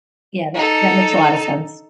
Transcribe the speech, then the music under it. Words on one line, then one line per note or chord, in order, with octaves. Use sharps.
yeah, that that makes a lotta sense.
D#4 A4